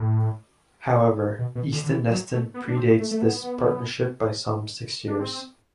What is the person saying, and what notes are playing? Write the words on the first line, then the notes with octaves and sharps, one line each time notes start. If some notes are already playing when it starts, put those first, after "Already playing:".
However, Easton Neston predates this partnership by some six years.
Already playing: A2
B2
B2
D3
D3
E3
F#3
A3
B3
D4
C4
A3
A3
B3
D4
C4